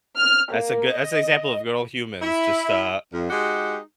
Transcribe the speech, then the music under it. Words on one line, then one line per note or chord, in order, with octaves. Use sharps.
That's a good that's an example of good old humans just, uh
F6
A#3
D#5
E4
F2
G#3 D#4 F#4 G4